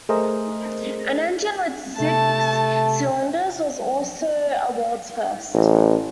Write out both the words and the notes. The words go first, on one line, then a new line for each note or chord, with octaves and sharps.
An engine with six cylinders was also a world's first.
A3 G#4 A#4 C5 D#5
C3 A3 A5
A1